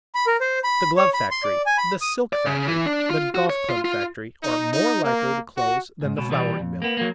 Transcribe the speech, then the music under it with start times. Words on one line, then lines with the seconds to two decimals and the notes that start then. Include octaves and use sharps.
The glove-factory, the silk-factory, the golf-club-factory are more likely to close than the flouring-mill.
0.15 B5
0.27 A#4
0.41 C5
0.64 B5
0.97 C#5
1.14 B5
1.31 C6
1.43 D5
1.66 G#5
1.78 B5
2.01 D#6
2.33 D5
2.46 C#3
2.68 E3
2.86 D4
3.10 F4
3.35 F#4
3.50 C#5
3.69 F4
3.85 F4
4.43 D#4
4.72 D#4
5.03 A#3
5.56 F#4
6.01 D2 G#2
6.17 C#2 B2
6.30 B2 E3 G3
6.59 F2
6.82 A#3 B3
6.97 F#3 A#3